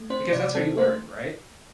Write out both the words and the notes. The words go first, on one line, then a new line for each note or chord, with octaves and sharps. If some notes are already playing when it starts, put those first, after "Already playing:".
Because that's how you learn, right,
Already playing: A3
C4 C5
C3 D5
C4 A4
A3 C5